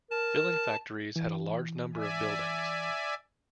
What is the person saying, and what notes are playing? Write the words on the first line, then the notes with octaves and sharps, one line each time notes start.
Filling factories had a large number of buildings.
A#4 A5
E3
D5 E5 G#5